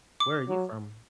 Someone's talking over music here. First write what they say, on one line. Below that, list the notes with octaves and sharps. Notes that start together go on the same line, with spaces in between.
Where are you from?
D6
F#3